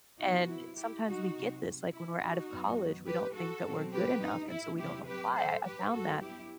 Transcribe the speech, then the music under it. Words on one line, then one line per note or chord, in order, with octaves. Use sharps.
and sometimes we get this, like, when we're out of college, we don't think that we're good enough, and so we don't apply, I I found that
C3 F#3 B3 D#4 F#4
E4
E4 G4
D#4 F#4
C3 F#3 C4
E4
D#4 F#4
F#2 F#3 B3
G4 B4
F#4 A4
B2 F#3 C4
G4 B4
D#4
E4
C3 F#3 A3 C4 E4 G4
G4 B4
A4 C5
G4 B4
G2 F#3 B3 F#4 A4
E4 G4